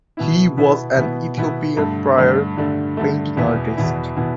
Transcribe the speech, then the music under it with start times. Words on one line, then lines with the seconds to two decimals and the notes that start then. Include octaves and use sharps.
He was an Ethiopian prior Painting Artist.
0.17 B2 B3 E4
0.57 B2 B3 E4
0.97 B2 B3 E4
1.37 B2 B3 E4
1.77 G2 D3 A3
2.17 G2 D3 A3
2.57 G2 D3 A3
2.97 G2 D3 A3
3.37 E2 B2 B3 E4
3.77 E2 B2 B3 E4
4.16 B2 B3 E4